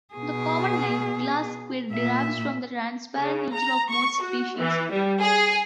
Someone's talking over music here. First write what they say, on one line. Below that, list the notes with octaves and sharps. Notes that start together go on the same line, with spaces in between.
The common name, glass squid, derives from the transparent nature of most species.
B2 G#4
A#2 E5
C#3
A#5
C#6
F#4
E3
G3
G#4